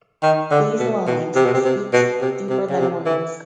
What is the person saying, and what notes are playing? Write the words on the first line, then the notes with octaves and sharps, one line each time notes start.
These lines speaks deeper than words.
D#3
D3
B2
B2
C3
B2
C3
C3
B2
C3
C3
C#3
C3
E3